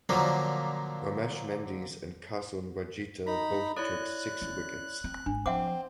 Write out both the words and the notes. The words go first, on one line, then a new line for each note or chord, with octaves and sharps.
Ramesh Mendis and Kasun Rajitha both took six wickets.
A#2 D3 F3 F#3 A#3
D#4 A#5 B5 B6
E4 A4 C#5 D5 F#6
C#4
C4
G#1 D4
F3 C4 C5 E5 F#5 D6